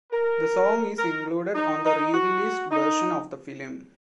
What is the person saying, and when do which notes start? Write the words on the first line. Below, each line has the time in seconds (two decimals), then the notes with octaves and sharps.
The song is included on the re-released version of the film.
0.12 A#4
0.98 A#4
1.55 D#4
1.85 D#4
2.14 F#4
2.71 D#4